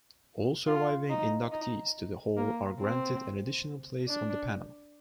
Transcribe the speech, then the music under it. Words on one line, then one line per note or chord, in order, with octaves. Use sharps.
All surviving inductees to the Hall are granted an additional place on the panel.
F4
D#4
D#4
A#3
C4
D4